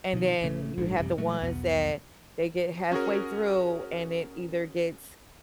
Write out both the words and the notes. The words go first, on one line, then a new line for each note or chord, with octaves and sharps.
and then, you have the ones that they get halfway through and it either gets
B2 D#3 F3
A1 C#3 A3
A#1 G#2 D3
A1 F#2 C3 G3
A#2 F#3 A3
B1 E2 B2 B3
C#4 F#4 G#4 A#4